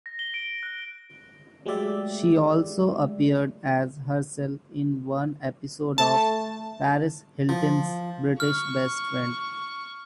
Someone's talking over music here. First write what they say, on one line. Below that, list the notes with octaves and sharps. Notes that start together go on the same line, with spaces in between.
She also appeared as herself in one episode of "Paris Hilton's British Best Friend".
A#6
G7
D7
F#6
F#3 G#3 A3 G4 D5 E5
A3 A5
F3
C#6 F6